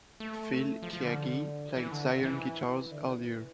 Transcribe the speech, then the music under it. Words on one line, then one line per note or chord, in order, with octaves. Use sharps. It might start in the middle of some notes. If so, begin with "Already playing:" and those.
Phil Keaggy played Zion Guitars earlier.
A3
F3
F3
D3
E3
D3
C3
E3
D3
E3